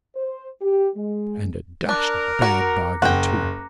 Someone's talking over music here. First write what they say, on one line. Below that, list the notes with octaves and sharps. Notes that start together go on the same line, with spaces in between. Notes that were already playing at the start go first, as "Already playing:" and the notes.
'And a dashed bad bargain too.
C5
G4
G#3
D4 A#4 D6 F#6
F#4 A#5 A#6 C#7
F#1 F#5 G5